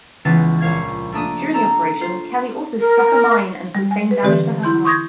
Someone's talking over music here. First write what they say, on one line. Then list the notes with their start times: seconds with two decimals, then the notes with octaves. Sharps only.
During the operation, "Kelly" also struck a mine and sustained damage to her hull.
0.25 C#2 E3 B3 C#4 A6
0.61 A#1 C#5 F5 G#6
1.12 A3 A#3 D4 D#6
1.54 A4 A#5
2.01 F4 C5
2.80 A#4
3.75 G3
3.91 G#5
4.11 B4
4.23 D3 E3 C4 G4 D5
4.63 E4 C6 G6
4.84 C6 C#6 D#6 G6 G#6 A#6